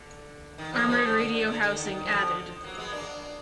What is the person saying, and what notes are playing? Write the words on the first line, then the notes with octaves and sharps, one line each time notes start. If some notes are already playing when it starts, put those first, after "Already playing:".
Armoured radio housing added.
Already playing: D3
D#3
D3 F3
F3 G#3
D3 F3
D3
D3
D3
D3
D#3
D3 F3
F#3 A#3
G#3 B3
A#3 D4